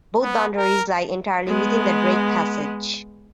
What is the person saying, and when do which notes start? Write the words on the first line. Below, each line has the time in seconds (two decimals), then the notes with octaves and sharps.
Both boundaries lie entirely within the Drake Passage.
0.23 B3
0.57 A#4
1.48 G#3 B3